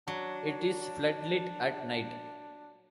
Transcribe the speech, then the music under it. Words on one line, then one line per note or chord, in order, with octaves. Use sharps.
It is floodlit at night.
F#3 D4